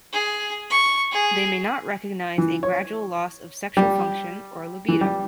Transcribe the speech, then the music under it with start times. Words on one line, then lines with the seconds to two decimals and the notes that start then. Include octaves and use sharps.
They may not recognize a gradual loss of sexual function or libido.
0.13 G#4
0.70 C#6
1.12 G#4
2.38 E3
2.63 C#5
3.77 G3
4.88 E3
5.01 G3